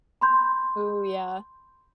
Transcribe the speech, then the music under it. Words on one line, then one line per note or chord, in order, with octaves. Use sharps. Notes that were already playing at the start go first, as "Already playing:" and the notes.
Ooh, yeah.
B5 C6 G6